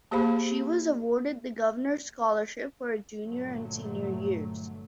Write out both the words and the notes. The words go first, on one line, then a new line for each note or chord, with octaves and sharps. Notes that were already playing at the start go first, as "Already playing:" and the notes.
She was awarded the governor's scholarship for her junior and senior years.
A#3 G4 G#4 C5 F5 B5
G1 G2 A#2 D3 F#3 A3